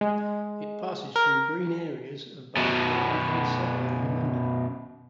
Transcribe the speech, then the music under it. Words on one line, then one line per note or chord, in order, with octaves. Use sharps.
It passes through green areas of both urban and suburban London.
G#3
A#4
F#2 B2